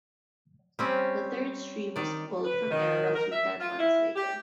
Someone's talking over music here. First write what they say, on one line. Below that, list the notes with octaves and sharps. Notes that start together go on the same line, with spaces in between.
The third stream was pulled from air roughly ten months later.
G3 C4 C#4
D#3 D5
B4
D#3
A#4
E5
F4
E4
G4